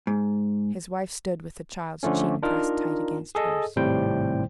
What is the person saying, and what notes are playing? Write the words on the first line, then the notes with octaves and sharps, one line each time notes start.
His wife stood with the child's cheek pressed tight against hers.
G#2
D3 F3 A3 C#4
D4 D#4 F4 A#4
G#4 A4 D#5
G#1 A2 C3 G3 C5 G5